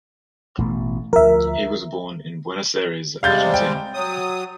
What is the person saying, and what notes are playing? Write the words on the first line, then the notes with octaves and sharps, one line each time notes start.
He was born in Buenos Aires, Argentina.
A1 B2 A3
D2 F3 A#4 E5
C3 G3 G#3 F5 G6 A6
G5
F#3 D#6